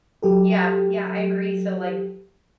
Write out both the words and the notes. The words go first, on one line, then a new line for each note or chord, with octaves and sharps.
Yeah, yeah, I agree. So, like,
F#3 G4 A4